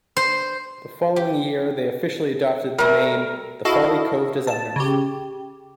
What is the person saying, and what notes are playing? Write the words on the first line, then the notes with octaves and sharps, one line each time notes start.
The following year they officially adopted the name "The Folly Cove Designers".
C5
G4
G3 A3 A#4
E4 F#4 A4 D#5 F5
A5
C#3 G4